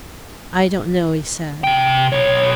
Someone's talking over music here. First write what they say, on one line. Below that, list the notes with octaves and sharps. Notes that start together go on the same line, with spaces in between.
"I don't know," he said.
C3 G5
B1 C#5